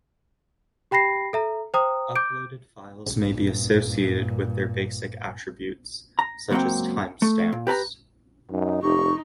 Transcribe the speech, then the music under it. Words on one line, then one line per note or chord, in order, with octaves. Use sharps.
Uploaded files may be associated with their basic attributes, such as time stamps.
G4 G5 B5 A#6 C7
A4 E5 A#5
C5 G5 A#5 D#6
D6 G6 D7
G2 A#2
A#5
C#2 F#2 F#3 A#3 C4 G5
A3
A#2
G4 B4 A5 A#5
F#2 D#4
F1 D#4 G4 C#6